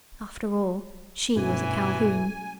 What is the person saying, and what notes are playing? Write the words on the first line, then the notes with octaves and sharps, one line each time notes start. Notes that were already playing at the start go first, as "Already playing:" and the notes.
After all, she was a Calhoun.
G2 B2 E3 A3 C#4 F#4 G#5